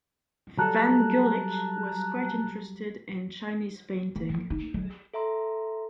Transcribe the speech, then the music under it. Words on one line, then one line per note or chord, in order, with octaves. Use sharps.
Van Gulik was quite interested in Chinese painting.
F#3 G3 A4 A5 A#5 F#6
A#3
F3
D#4
F#3
A4 E5 A#5 C6